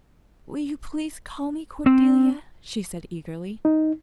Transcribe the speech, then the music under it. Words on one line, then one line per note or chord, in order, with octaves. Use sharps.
"Will you please call me Cordelia?" she said eagerly.
C4
D#4